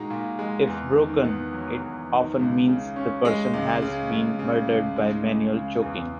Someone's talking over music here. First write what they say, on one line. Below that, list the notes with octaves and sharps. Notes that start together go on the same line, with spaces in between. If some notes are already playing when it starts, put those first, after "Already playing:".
If broken, it often means the person has been murdered by manual choking.
Already playing: A#2 G#3 D#4 F#4
A#2
G#3
E2
D#3
B3
F#3
E2
D#3
C#2
C#3
C#4
G#3
C#2
C#3
C#2
C#3
C#2
G#3
C#2
C#3
E2